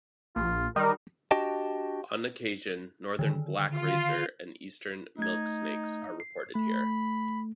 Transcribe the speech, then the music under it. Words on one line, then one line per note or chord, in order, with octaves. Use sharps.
On occasion northern "black" racer and eastern milksnakes are reported here.
A#1 F4
D#3 G3 D#4 A#4
D4 F#4 G4 D#5 G5 A5
D3 D#3
F4
A3 D#4 G#6
C7
A3 B5